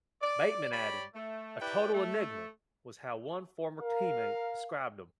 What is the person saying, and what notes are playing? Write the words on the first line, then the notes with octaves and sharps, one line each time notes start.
Bateman added, "'A total enigma' was how one former team-mate described him".
D5
G4 C#5 D5 B5
A3
E4 G4 B4 D5 G5
A3
A#4 F5